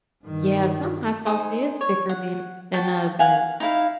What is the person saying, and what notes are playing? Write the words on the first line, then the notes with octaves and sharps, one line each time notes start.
Yeah, some hot sauce is thicker than than others.
G2 D#3
D#4 G#4 C5
C#5
F#5
F#4 G5 A5
F5 F#5 G#5
D#4 E4 F5